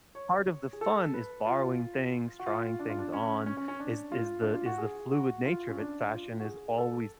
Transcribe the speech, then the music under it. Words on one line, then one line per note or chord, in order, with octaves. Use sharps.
part of the fun is borrowing things, trying things on, is is the is the fluid nature of it, fashion is always,
C#5
G#4
A4
B4
F4
F#4
F4
D4
F4
D4
C#4
C#4
C#4
C#4
D4
F4
D4
F4
F#4
G#4
F#4
F4
C#4
D4
F4
F#4
G#4
A4